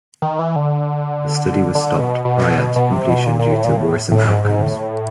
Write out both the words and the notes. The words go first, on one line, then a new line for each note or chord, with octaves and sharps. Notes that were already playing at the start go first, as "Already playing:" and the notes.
The study was stopped prior to completion due to worrisome outcomes.
D#3
E3
D3
D3
B2
B2
B2
C3
B2
A#2
A#2
A2
A#2
A2
A2
G#2
G#2
A2